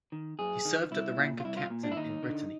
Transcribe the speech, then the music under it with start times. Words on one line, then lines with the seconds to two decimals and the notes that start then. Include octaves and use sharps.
He served at rank of captain in Brittany.
0.12 D#3
0.39 F#2 G#4
0.65 D#3
0.91 C2 E4
1.18 A#2
1.40 F4
1.44 C2 E4
1.57 F4
1.70 A#2
1.83 D4
1.92 E4
1.96 D#2 D#4
2.23 D3